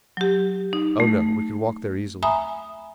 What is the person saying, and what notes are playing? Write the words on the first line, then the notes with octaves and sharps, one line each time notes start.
"Oh, no, we could walk there easily."
F#3 G4
D#4
A3
E5 G#5 A#5 B5 D#6